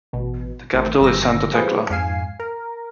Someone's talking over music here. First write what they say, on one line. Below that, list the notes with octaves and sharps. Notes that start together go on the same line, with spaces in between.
The capital is Santa Tecla.
A1 B2
A1 D#3 A3
G1 D#3 E6 A#6
E3 G3 C4 F4 G#4 B4
F2 G#2 F5 G#5 C7
A#4